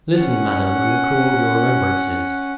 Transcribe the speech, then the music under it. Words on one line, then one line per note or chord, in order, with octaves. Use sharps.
Listen, madame, and recall your remembrances.
C#4 F#5